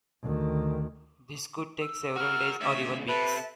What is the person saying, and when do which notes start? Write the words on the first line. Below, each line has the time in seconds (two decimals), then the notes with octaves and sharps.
This could take several days or even weeks.
0.22 D2 D#3
1.81 E6
2.16 F#4 A#4 F6
2.61 D2 C#3 E5
3.08 C3 A4 B4 E5